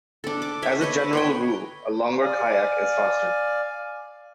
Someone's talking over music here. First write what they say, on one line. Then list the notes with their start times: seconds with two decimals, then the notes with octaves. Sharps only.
As a general rule, a longer kayak is faster.
0.24 D4 A4
0.42 D6
0.62 C#5 E5
0.81 B4 C#5 D#5
1.13 B4 C#5 G5
2.20 D5 F5 G#5